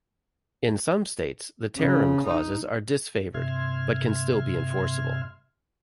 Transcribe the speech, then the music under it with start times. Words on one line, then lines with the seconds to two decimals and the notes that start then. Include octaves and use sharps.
In some states, in terrorem clauses are disfavored, but can still be enforceable.
1.77 C#3
2.25 D#4
3.34 G2 C3 E5 C6 F6 G#6